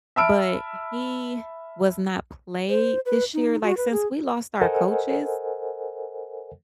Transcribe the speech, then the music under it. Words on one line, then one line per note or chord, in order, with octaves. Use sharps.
but he was not played this year. Like, since we lost our coaches
E5 A5 B5 E6 F6 D7
C5
B4
D#4
F#4
B4
G#4
A4 A#4 C5 D#5 F#5 G#5